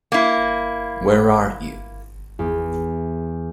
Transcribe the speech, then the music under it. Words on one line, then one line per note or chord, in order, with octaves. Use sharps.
Where are you?
A#3 E4
E2